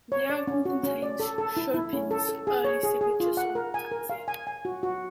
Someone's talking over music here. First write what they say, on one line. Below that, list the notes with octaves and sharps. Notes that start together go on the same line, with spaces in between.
The album contains Chapin's early signature song Taxi.
C#5
D5
C#4
F#4
C#4
D5
A4
A4
E4
E4
C#4
A4
A4
G#4
C#5
G#4
G#4
F4
F#5
A#4
G#5
A#4
F5
G#5
G#5
F#4
F#4